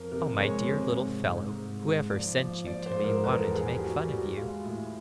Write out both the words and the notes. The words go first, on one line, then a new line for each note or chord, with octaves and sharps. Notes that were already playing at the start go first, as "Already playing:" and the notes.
Oh, my dear little fellow, whoever sent you to me wanted to make fun of you.'
Already playing: F2 A#4
C3 A#4
G#3 C#5
C3
G#2
G#2
G#2
G#2
F3 D5
F3
F3 D5
C5
G#2
A#4
E2 A#4
A4
E2 G#4
G4
G3 F#4
G3 F#4
G#3 F4
A2